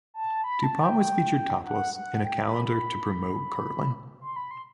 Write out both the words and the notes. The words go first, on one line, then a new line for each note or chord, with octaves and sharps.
Dupont was featured topless in a calendar to promote curling.
A5
B5
A5
G5
F#5
F#5
G5
B5
B5
C6
B5
C6